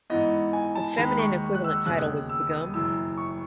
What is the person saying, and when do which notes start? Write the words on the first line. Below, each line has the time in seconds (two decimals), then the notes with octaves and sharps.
The feminine equivalent title was Begum.
0.10 G#2 E3 B3 D#5
0.53 G#5
0.75 A5
0.97 D#2 D#3 G#3 D#4 B5
1.19 C#6
1.55 F#6
1.64 E6
1.86 E1 D#2 C#3 F#6
2.29 E6
2.51 D#6
2.74 F#1 F#2 E3 E6
3.17 C#6